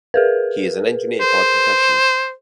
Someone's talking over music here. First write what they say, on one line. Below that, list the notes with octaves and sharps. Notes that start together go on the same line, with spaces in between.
He is an engineer by profession.
G#4 A#4 B4
C5